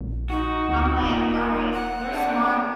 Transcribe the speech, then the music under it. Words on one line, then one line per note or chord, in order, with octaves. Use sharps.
I'm like, "All right, they're smart
A#1
D#4 F#4
D2
E1 A#2
F#5
C3 D4